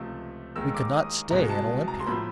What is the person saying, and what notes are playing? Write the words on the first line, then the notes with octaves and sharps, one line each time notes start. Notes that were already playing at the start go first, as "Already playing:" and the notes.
We could not stay at Olympia.
Already playing: C#2 C3 F3 A3
D#2 D#3 G#3 E6
D6
D#6
C2 B2 G#3 A#5
A5
A#5
C6
A2 F3 B5